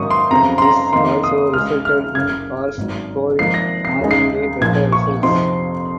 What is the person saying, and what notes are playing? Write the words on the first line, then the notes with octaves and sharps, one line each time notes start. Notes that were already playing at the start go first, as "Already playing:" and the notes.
This also resulted in cars scoring marginally better results.
Already playing: G#2 D#3 F#3 A#3 C#4 C#6 D#6
C6
F2 C#3 F#3 C4 A#5
C6
A#5
F2 D#3 A#3 D#4 C6
D#6
C#2 C#3 G#3 F6
F6
F#1 F#2 C#3 G#6
G#1 G#2 F#3
G#1 G#2 F3 A#3 D#4 C7
A#6
C7
D#2 C#3 G#3 D#4
C7
A#1 A#2 F3 G#6
C#6
F2 C3 F3 C4 D#4 C6